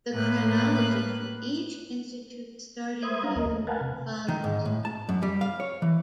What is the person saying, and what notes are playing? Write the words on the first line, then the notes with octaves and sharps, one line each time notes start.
The chronology for each institute's starting year follows.
A2 A#3 B4 F#6
B4 C5 E5 D#6 G#6
C#4 D4 F5 A#5
D#2 A#3 A#4 D#5
A3
A#4 B4 F5 F#5 G#5 A5
C3
D#3
G#2
A2
A5
F#2
G3
F5
C#5
E3